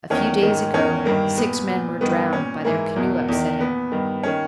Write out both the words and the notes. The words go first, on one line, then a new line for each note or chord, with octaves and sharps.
A few days ago six men were drowned by their canoe upsetting.
E2 D#3 C#4
G#2 D#3
E2 D#3 C#4
G2 D#3 A#3
A#2 B3
A#2
G2 D#3 B3
A#2 C#4
G#2 E3 A#3
E2 B2
E2 D#3
A#2 B3
G2 D#3
D#3 C#4